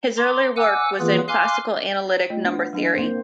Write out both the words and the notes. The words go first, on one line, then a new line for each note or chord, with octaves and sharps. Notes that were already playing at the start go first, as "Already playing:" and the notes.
His early work was in classical analytic number theory.
A#5 C6 D6
F#5 G#5 D6 E6 F#6
E3 A#3 B3 F4 G#4 B4
F5 G#5 C6 D6 F6 F#6
A3 F4 D#5
B3 D4 F#5
F#3 D4 D#5
A#3 C4 C5